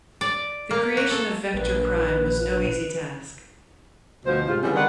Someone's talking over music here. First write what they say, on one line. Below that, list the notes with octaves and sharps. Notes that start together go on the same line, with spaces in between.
The creation of Vector Prime was no easy task.
D5
A#3
F#4
A4
A#1 B4
D2 B2 F3 C5
G#2 C3 F4
C#3 E3 G3 B3 C4
D#3 G#3 B4 D5 F#5